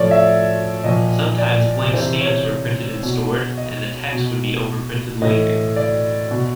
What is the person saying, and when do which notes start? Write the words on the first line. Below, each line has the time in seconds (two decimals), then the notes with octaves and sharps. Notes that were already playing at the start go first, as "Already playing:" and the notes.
Sometimes blank stamps were printed and stored, and the text would be overprinted later.
Already playing: A2 F3 C#5 D5
0.11 E5
0.84 A#2 F3 D#5
1.39 D5
1.94 C3 E3 C5
2.21 C#5
3.03 B2
3.57 D#5
4.12 B2
5.22 A2 E3 D#5
5.76 D5
6.31 B2